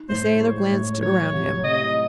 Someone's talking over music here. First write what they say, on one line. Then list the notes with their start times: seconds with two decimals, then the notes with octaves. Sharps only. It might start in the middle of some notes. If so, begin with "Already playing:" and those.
The sailor glanced around him.
Already playing: D#4
0.09 A2 C5
0.24 C5
0.40 G#3 C#5
0.71 A2
1.02 F#3 C#5
1.33 C2
1.64 C3 D#5